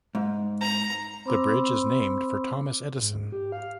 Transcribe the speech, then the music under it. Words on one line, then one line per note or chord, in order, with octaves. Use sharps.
The bridge is named for Thomas Edison.
G#2
A#5
C4 C5 B5 C6 D6 E6
G#2
G4
F5